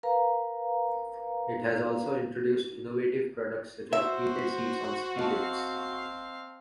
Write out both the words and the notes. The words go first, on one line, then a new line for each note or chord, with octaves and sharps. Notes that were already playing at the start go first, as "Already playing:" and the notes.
It has also introduced innovative products such as heated seats on ski lifts.
A#4 B4 F5 A#5
F#4 C5 E5
C4 D#5 F5 A5